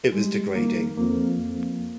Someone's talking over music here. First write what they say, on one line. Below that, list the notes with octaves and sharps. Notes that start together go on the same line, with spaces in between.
It was degrading.
G3 G#3
D#3 A#3
F2 A#3
F2